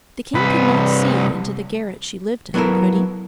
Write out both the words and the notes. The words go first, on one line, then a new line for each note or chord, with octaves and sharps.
The king could not see into the garret she lived in, could he?
C2 B4
F#3 B3 E4 A4 A#4